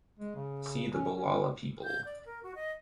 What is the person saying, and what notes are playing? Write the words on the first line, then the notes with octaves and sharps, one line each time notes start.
See the Bulala people.
G#3
C#3
C#4
C#4
G6
D5
A#4
F#4
D#5